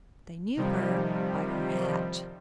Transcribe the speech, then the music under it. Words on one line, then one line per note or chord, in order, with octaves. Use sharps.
They knew her by her hat.
C3 D#3 F3 G3